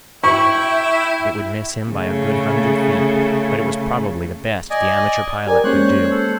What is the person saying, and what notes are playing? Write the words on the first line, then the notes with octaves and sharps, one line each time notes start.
It would miss him by a good hundred feet, but it was probably the best the amateur pilot could do.
E4 E5 G5 C#6
C#3 A3
D5 D#5 G#5
G4 A#4 D5 G#5
G#3 A#3 C#4 C5 C#5 F#6
A4 C5